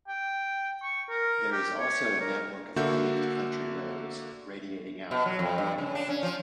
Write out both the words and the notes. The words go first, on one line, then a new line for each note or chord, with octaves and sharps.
There is also a network of paved country roads radiating out in all directions.
G5
C#6
A#4
G4
C#5
A#4
D3 A#3 F#4 E5 F#5 G6
B2
F#3
F2
G2
C#3
D4
C#4
F3